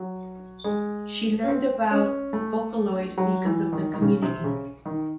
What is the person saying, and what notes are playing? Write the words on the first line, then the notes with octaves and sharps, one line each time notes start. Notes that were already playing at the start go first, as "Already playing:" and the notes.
She learned about Vocaloid because of the community.
Already playing: F#3
G#3
C#4
C4
C#4
A3
F#3
E3
D#3
D#3
C#3
C3
C#3
D#3